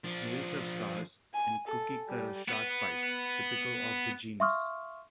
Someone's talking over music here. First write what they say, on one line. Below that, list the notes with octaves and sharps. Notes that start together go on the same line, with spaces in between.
Males have scars and cookie cutter shark bites typical of the genus.
F3 D4
G#5
A4
G3
B3 B4
E5 F5 C6 C#6 D#6 F6